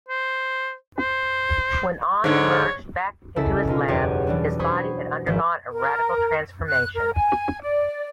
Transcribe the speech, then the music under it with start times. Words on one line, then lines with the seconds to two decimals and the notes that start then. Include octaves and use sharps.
When Ohnn emerged back into his lab, his body had undergone a radical transformation.
0.08 C5
0.98 C5
2.24 G#2 D3 C#5
3.36 C#2 C#3 E4 A4 E5
3.67 B2 D#4 F4
3.88 F#1 E2 G4 C#5 F#5 D#7
4.27 E3 G3 D4 F#4
4.59 C5 B5 C#6 D#6 G#6
5.27 G#1 G#2 F3 B4 G6
5.71 A#4
6.67 F#6
6.95 A#4
7.14 G#5
7.61 D5